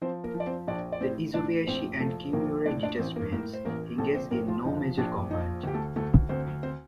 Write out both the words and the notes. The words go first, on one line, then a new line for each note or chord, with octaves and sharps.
The Isobayashi and Kimura detachments engaged in no major combat.
F3 C4 C5
A#3 A#4
F3
D5
C4 C5
A#1 D4 D5
D5
A2 C4 C5
A2 D4 D5
A#1 C4 C5
F3 A3 A4
A#1 A#3 A#4
A2 D4 D5
D4 D5
A1 C4 C5
A#3 A#4
A2 A#3 A#4
C5
A1 A#3 A#4
A#1 A3 A4
C4 C5
A#1 A#3 A#4
F3 F4
F3 D#4
A#1 D4
F3 D#4
D2 G4
A3 A4
D2 A3 A4
D2 C4 C5
C4 C5